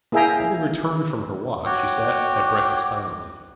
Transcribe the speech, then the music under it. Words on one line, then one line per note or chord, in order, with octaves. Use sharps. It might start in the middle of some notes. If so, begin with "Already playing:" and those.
Having returned from her walk she sat at breakfast silently.
A#3 E4 G#4 E5 G5 A#5
F#4 C#5 G5 D6